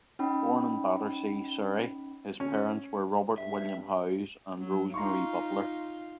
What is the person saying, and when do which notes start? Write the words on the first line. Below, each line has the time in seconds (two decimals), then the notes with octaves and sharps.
Born in Battersea, Surrey, his parents were Robert William Howes and Rose Marie Butler.
0.19 C#4 D#4 G5 B5
2.40 C#4
3.38 G2 E5
4.58 F#3
4.94 D#4 F4 A#5 C6 C#6